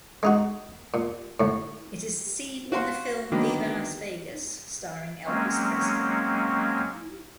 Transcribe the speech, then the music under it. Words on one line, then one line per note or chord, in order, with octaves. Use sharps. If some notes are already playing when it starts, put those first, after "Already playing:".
It is seen in the film "Viva Las Vegas" starring Elvis Presley.
G#3 D#4 F#4
A#2
D2 A2
F#4 C5 F5 F#5 C6
D3 D#3 F#3 A#3 B3
F#3 G#3 A#3 C4 C#4